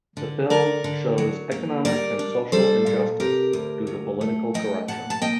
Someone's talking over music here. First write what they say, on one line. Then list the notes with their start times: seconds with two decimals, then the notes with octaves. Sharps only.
The film shows economic and social injustice due to political corruption.
0.17 D3
0.50 D3 A#4 D5
0.84 D3
1.18 F#3
1.52 A#3
1.85 G3 A#4 D5
2.19 D4
2.52 G3 A4 C5
2.86 A#2
3.20 C3 G4 A#4
3.53 D2
3.87 F#3
4.21 A3
4.54 F#3 D#5 G5
4.88 A#2 F#5 A5
5.10 A5
5.22 A#3 D#5 G5